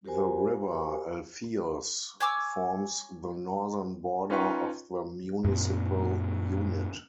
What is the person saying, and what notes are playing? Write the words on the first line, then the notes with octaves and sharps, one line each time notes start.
The river Alfeios forms the northern border of the municipal unit.
F#4 G4 A#4 C5 G#5
C#5 G#5 D6 E6
C#4 D#4 F4 B4 G5 C#6
F#2 A#2 C4